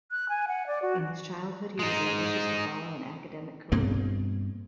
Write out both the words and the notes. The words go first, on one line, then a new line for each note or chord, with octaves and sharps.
In his childhood he was ambitious to follow an academic career.
F#6
G#5
F#5
D5
F#4
G#3 D#4
G2 B2 A#3 C4